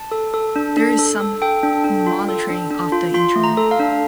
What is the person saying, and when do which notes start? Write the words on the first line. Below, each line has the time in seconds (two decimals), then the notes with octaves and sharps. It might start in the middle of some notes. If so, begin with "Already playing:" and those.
There is some monitoring of the Internet.
Already playing: A5
0.12 A4
0.34 A4
0.56 D4
0.77 D4
0.99 A4
1.21 A4
1.42 A4 G5
1.63 D4
1.84 D4
2.07 F4
2.29 A4
2.50 D4
2.71 D4
2.92 F4
3.14 F4 C6
3.36 A3
3.44 A#5
3.57 A4
3.71 F5
3.80 D4